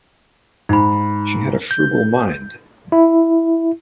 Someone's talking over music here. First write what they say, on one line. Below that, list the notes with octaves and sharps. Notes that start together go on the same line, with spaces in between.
She had a frugal mind.
G#2 D#4 B5
G6
E4